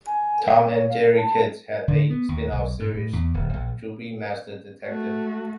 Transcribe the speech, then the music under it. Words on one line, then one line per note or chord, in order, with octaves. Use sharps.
"Tom and Jerry Kids" had a spin-off series, "Droopy, Master Detective".
G#5
G5
C#5
F5
A#4
A5
D3
B3
D#2
B1
G#2
A2
E2
D1
A#1
A3 F#4